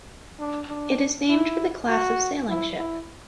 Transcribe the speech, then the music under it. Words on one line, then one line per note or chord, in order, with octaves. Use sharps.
It is named for the class of sailing ship.
D4
D4
E4
F#4
E4
E4